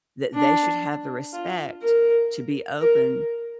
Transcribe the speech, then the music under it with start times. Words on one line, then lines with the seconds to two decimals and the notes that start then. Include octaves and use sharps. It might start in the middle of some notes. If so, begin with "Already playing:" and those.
that they should have the respect to be open
0.34 D4
1.33 F4
1.82 A#4
2.81 A#4